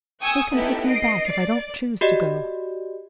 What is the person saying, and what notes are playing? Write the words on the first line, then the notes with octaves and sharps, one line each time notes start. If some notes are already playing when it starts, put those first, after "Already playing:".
Who can take me back, if I don't choose to go?
G5 G#5 C#6 D#6 E6
B3 C#4 D#4 E4 G4 A4
D#5 C7 D7
D5
F#4 G4 D5 D#5